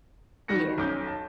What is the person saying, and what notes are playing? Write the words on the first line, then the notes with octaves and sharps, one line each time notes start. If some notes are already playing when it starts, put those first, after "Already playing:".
Mm, yeah.
D#3 G3 F#4 A#6 C#7
B1 C#4 D6 G6
A5